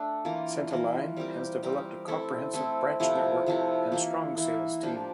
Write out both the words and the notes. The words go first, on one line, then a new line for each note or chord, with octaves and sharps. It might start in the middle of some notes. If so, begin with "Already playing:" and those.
Centaline has developed a comprehensive branch network and strong sales team.
Already playing: A3 D4 A4
E3 A#3 F4 A#4
E3 A#3 F4 A#4
G3 C4 G4 A#4
G3 C4 G4 A#4
A3 C4 E4 A4
A3 C4 E4 A4
C3 F3 A3 E4
C3 F3 A3 E4
E3 A#3 E4
E3 A#3 E4
F3 A#3 D4 G4